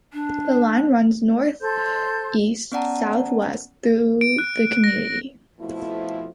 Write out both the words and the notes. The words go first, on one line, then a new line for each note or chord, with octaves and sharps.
The line runs northeast-southwest through the community.
D4
A4 C5 C6 G6
B3 C#4 D5 F#5 A5 A#5
D7
F#6
A#6
D7
F2 B2 F3 A3 E4